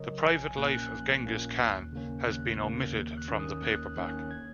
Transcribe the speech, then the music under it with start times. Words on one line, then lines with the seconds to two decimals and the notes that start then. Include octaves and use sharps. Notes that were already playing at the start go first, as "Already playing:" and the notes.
"The Private Life of Genghis Khan" has been omitted from the paperback.
Already playing: C#3 F#3 A#4 C#5 D#5
0.23 A#1 G#5
0.57 A#2 A#3 C#4 F#6
0.75 F#6
0.91 A#1
1.26 A#2 A#3 C#4
1.59 D#2
1.93 C#3 A#3 C#4
2.26 D#2 F#6
2.61 C#3 A#3 C#4
2.95 D#2
3.17 F#6
3.28 D#3 A#3 C#4
3.39 D#6
3.62 D#2 F#6
3.96 D#3 A#3 C#4 F#6
4.31 G#6